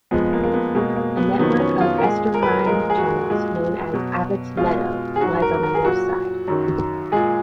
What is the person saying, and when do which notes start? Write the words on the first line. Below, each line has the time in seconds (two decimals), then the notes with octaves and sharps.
A network of estuarine channels known as Abbotts Meadow lies on the north side.
0.11 F2 F3 G#3 B3
0.33 A#3
0.43 A#3
0.54 B3
0.75 B2 G#3 A#3
0.96 A#3
1.17 B3
1.39 F2 D#3 F#3 B3
1.60 C#4
1.81 F4
1.98 A#4
2.03 A#2 G#3 G#4
2.34 A#4
2.43 B4
2.51 A#4
2.66 A#2 F3 G#3 A#4
2.90 G#4
2.98 F#4
3.30 A#2 G#3
3.94 B2 F#3
4.57 B2 G#3 F4
5.16 G#4
5.21 G#2 F#3 F#4
5.42 A#4
5.63 A#4
5.74 G#4
5.84 A#2 F#3 F#4
6.48 F#2 D#3 F#3
7.12 A#2 G#3 G#4